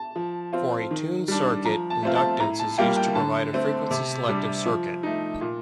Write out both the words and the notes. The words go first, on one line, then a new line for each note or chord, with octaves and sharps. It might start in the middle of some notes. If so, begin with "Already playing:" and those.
For a tuned circuit, inductance is used to provide a frequency-selective circuit.
Already playing: A5
F3
C4 F4
D#3
G3 D4
F3 A#5
A5
A3 C4 F4
A5
A2 A#5
A5
G3 A#3 F4 G5
G5
D3 A5
A3 C4
C3
G3 D4
F3
A3 D#4
A#2